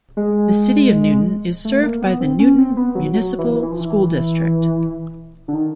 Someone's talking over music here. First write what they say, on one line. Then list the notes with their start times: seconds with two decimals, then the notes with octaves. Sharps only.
The City of Newton is served by the Newton Municipal School District.
0.17 G#3
1.65 A3
1.83 A#3
2.02 B3
2.20 C4
2.39 C#4
2.58 C4
2.77 B3
2.95 F#3
3.14 F#3
3.38 E3
3.63 E3
3.71 F3
3.80 E3
5.48 D3
5.54 D#3